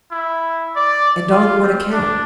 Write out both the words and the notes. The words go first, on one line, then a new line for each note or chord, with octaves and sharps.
"And on what account?"
E4
D5
F4
C4
D4